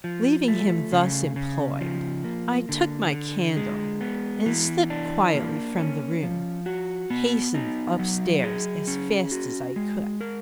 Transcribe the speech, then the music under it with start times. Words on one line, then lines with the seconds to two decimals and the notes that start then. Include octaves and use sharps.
Leaving him thus employed, I took my candle, and, slipping quietly from the room, hastened up-stairs as fast as I could.
0.04 F3
0.48 A3
0.92 C#3
1.36 C#3
1.81 F3
2.24 A#3
2.69 D3
3.12 D3
3.57 G#3
4.01 B3
4.46 E3
4.90 D4
5.34 A#3
5.78 C#4
6.23 F3
6.66 F#4
7.10 B3
7.54 D#4
7.99 F#3
8.44 G#4
8.87 C#4
9.32 F#4
9.76 G#3
10.21 A#4